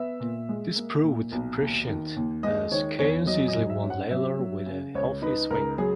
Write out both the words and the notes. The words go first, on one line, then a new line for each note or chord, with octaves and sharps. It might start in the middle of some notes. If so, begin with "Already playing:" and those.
This proved prescient, as Cairns easily won Lalor with a healthy swing.
Already playing: B3 E5
A#2
G#3
A#3
A#2
B1
D#2
D#3
D#2
G#3 D#5
D#3 C#5
E2 C#5
F#3 D#5
D#5
G#2
E5
C#4
F#5
F#3 E5
F#3
C#3
C#2 C#5
D#4 B4
C#2 A#4
F#3 G#4